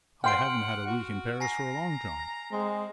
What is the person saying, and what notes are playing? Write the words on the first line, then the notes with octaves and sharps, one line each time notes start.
"I haven't had a week in Paris for a long time."
F#5 G5 C6 F6 D7
F#4
G#5 A#5 A#6 C7
G#3 C4